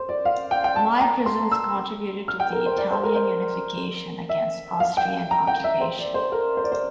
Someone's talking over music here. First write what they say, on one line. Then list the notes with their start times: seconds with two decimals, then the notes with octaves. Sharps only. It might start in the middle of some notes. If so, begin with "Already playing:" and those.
"My prisons" contributed to the Italian unification, against Austrian occupation.
Already playing: C5
0.09 D5
0.25 F5
0.51 G5
0.64 G5
0.76 A5
1.01 A#5
1.26 C6
1.51 E6
2.28 F6
2.40 G5
2.53 A#4
2.66 C5
2.78 D5
2.91 C5
3.03 A#4
3.16 C5
4.29 E5
4.80 F5
4.97 G5
5.31 A#5
5.47 G5
5.64 E5
5.81 C5
5.99 D5
6.14 C5
6.32 A#4
6.57 C5
6.64 D5
6.72 C5